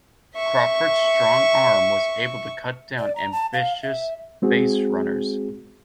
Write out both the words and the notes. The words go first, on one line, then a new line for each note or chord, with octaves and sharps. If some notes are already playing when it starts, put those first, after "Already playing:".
Crawford's strong arm was able to cut down ambitious baserunners.
E5 C#6
D5
A#5
A5
F5
E5
G#3 C4 F#4 G#4